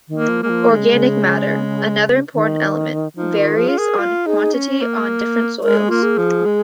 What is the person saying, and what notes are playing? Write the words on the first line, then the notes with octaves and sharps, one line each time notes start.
Organic matter, another important element, varies on quantity on different soils.
D#3
A#3
F3
G#3 A#3
F3
D#3 G#3
C#3
C#3
D#3
F3 D#4
D#3 F4
F3 G#4
F4
G#4 A#4
F4
D#4 G#4
C#4
A#3
G#3 A#4
G#4
A#3 F4
G#4
F3
G#3